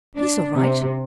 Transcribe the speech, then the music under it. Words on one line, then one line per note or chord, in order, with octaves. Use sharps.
He's all right.
D4
C3